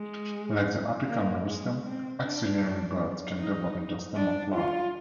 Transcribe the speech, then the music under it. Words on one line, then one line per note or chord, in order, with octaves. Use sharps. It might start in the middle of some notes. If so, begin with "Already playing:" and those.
Like the apical meristem, axillary buds can develop into a stem or flower.
Already playing: G#3
A#3
G#3
C4
D4
D#4
D4
F4